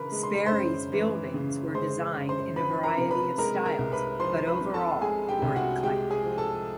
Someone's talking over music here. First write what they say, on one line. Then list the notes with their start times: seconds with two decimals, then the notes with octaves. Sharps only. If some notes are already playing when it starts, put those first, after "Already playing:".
Sperry's buildings were designed in a variety of styles, but overall were eclectic.
Already playing: C#3 E3 A#4 B4 B5
0.12 G#3
0.23 C6
0.35 B5
0.46 C5 C6
0.52 F#2
0.93 E3
1.34 C#3
1.75 G#3 C5 C6
2.16 F#2
2.29 C5 C6
2.56 F3 B4 B5
2.83 A#4 A#5
2.98 C3
3.11 B4 B5
3.38 G#3 A#4 A#5
3.65 A#4 A#5
3.79 C2
3.92 B4 B5
4.20 F3 C5 C6
4.47 B4 B5
4.61 C3
4.74 A4 A5
5.01 G#3 G#4 G#5
5.29 G4 G5
5.42 C2
5.56 F#4 F#5
5.83 G#3 G4 G5
6.10 G#4 G#5
6.24 F3
6.38 A4 A5